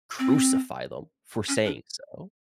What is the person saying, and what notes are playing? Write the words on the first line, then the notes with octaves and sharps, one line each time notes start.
crucify them for saying so.
C4
C#4
D4